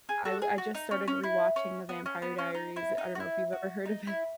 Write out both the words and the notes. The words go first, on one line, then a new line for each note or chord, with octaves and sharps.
I w I just started rewatching the Vampire Diaries. I don't know if you've ever heard of it.
G#4
F#4 A4
G#4
F#4
D#4
C#4
C#4
E4
C#4
B3
C#4
B3
C#4
D#4
E4
D#4
F#4
E4
F#4
D#4
E4